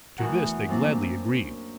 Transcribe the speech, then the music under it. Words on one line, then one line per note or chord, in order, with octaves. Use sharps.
To this they gladly agreed.
E2 E3 A3 F#4 A#4 F#5
F#2 A#3 C4 D4